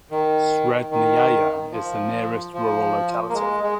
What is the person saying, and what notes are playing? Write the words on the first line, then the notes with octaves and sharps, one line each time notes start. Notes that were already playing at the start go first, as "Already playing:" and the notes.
Srednyaya is the nearest rural locality.
D#3
D#3
F3
F3
A#3
G#3
G#3